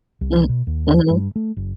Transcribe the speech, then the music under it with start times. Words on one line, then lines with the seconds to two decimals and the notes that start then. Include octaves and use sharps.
Mm Mhm.
0.21 C2
0.49 B2
0.67 D#2
1.10 G2
1.36 A3
1.57 F#1